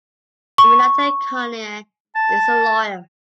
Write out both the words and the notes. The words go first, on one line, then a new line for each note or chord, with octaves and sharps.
Aminata Koné is a lawyer.
C#6
A5